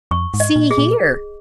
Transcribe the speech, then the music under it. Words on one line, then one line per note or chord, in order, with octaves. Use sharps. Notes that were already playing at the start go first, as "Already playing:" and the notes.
See here.
F2 C#6
G#2
D#5
A#2
G#4
A#2